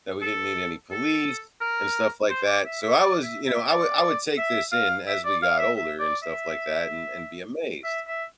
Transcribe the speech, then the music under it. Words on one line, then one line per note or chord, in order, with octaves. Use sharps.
that we didn't need any police and stuff like that, so, I was, y you know, I would I would take this in as we got older and stuff like that and and be amazed.
A4
A4
A#4
C5
D5
E5
E5
D5
E5
E5
D5
E5
F5
E5
D5
F5
E5
E5
D5
E5
E5
E5